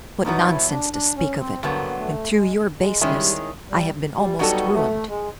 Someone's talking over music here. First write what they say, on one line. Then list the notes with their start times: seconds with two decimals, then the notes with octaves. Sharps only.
What nonsense to speak of it, when through your baseness I have been almost ruined.
0.25 E2 B2 F#3 B3 D#4
0.48 E4
0.70 D4
0.93 D4
1.17 C#4
1.40 C4
1.63 G2 D3 F#3 A#3 B3
1.98 A3
2.32 G#3
2.78 G#3
3.01 D#3 G3 G#3 C#4 E4 G#4
3.70 G3
4.16 G3
4.39 F#3 G3 B3 D#4 F#4 A4
4.74 A3
5.08 G#3